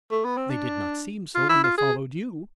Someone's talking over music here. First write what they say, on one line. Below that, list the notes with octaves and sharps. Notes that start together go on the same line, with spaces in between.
"They did not seem so when they followed you."
A3
B3
C4
D4
F4
E4
F4
G#4